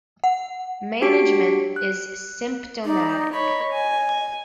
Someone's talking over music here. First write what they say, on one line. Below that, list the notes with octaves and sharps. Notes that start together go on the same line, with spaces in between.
Management is symptomatic.
F#5
D4 F#4 G4 B6 C7 D7
F#6
D#4 D5
C#5 D#5 B5
G#5